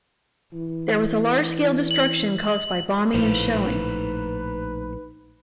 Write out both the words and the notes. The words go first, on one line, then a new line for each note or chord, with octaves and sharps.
There was a large-scale destruction caused by bombing and shelling.
E3
F#7
A#1 A2 D#4 B4 C5 F5